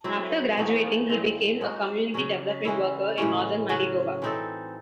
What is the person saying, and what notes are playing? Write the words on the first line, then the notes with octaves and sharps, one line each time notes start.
After graduating, he became a community development worker in northern Manitoba.
F#3 C4 E4
E3 A3 D#4
A2 G#3 C4
G#3 D#4 F#4
C#3 F#3 C#4
E3 G#3 C#4 E4
A2 E3 G#3 C#4
C#3 F#3 C#4 F#4
E3 C4 D#4 A4